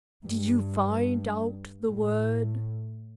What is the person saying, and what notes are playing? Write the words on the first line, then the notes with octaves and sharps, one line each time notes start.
"Did you find out the word?"
G2
A2